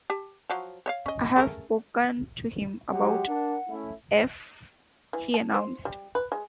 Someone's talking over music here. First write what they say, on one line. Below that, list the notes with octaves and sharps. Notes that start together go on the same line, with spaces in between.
"I've spoken to him about F.," he announced.
G4 A5
F3 F#3
C#5 E5 F5
C#4 D#5
C#3 A3 A#4
F#3 G#3 G4 F#5
D4 A#4
A3 C#4 E4
E3
A5
C5
G3
B4
G#3